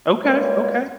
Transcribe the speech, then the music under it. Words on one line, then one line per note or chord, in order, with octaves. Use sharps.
Okay, okay.
C#2 F#2 G3 G#3 A#3 C#5